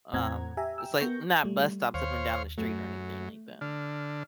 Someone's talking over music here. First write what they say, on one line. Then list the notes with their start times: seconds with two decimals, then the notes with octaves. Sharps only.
um, it's like not bus stops up and down the street or anything like that.
0.13 E2 A2 C4 F#5 A#5 G#6
0.57 G4 E5 G#5 A#5
0.78 G5 E6
1.00 B3 A#4 C#6 G6 A#6
1.44 G3 A3
1.94 D#2 C5 C#5 F5
2.58 F#2 A3
3.61 D3 F6